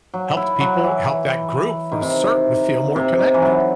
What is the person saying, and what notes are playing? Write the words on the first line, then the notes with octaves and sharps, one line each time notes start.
helped people help that group for certain feel more connected.
F#3
E4
F#3
E3
D#3
C3
C3
D#3
E3
F#3